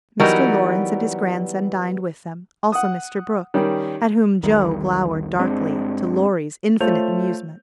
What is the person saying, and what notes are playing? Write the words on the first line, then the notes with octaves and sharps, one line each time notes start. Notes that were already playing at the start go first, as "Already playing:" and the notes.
Mr. Laurence and his grandson dined with them, also Mr. Brooke, at whom Jo glowered darkly, to Laurie's infinite amusement.
E3 F#3 G3 B3 D#4 A#4
F#5 D#6
D#3 G3 C#4
B1 E2 D#3 G3
G1 G#3 C4 D4
A3 F4 C5 C#5 G6 F7